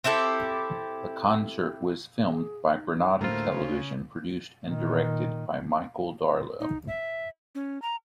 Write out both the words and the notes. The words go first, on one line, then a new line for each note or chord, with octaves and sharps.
The concert was filmed by Granada Television, produced and directed by Michael Darlow.
C4 E4 G4 A4
G#4
D#4
D2 A2 A#3 F4 C5
C#3
A#2 D#3
D#4
E5
C#4
A#5